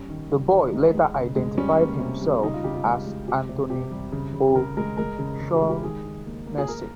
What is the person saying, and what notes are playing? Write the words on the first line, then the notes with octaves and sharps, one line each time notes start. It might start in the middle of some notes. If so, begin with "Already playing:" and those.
The boy later identified himself as Anthony O'Shaughnessy.
Already playing: G3 C#4
D#3
G3
D#3
G#3 D#4
G#3
C#3
G#3
G3 C#4
A#3
C3
G3
C#3 D#4
F4
C#3 G4
F4
G#3 F4
G#3
C3 G4
C3
C3 G4
G3
C#3
C#3
C#3 A#4
G#3 A#4
G#3 A#4
C#3
C#3
G4
G#3
G4
D#3 G#4
D#3
A#3
A#3
G#4
A#3 A#4